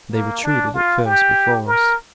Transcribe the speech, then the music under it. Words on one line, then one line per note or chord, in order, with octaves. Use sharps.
They retreated, at first, before us.
A#3
D4
F4
G4
A#4